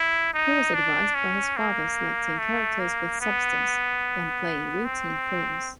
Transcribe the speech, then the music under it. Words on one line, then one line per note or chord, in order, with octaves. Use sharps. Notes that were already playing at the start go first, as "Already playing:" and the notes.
He was advised by his father selecting characters with substance, than playing routine films.
Already playing: E4
D#4
D4
C#4
A#3
A3
A#3
B3
C4